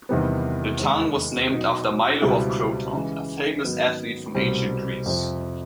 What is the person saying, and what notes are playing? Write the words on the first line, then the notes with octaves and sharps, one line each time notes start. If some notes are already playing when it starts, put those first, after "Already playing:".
The town was named after Milo of Croton, a famous athlete from Ancient Greece.
E2 C3 D#3 G3 B3
D#2 D#3 G#3
B2 F#3 B3 D#4
C#2 B2 G3 C4 E4
C#3 E3 G#3
G#2 D#3 F#3 B3
C2 B2 G3 C4
F2 C3 F3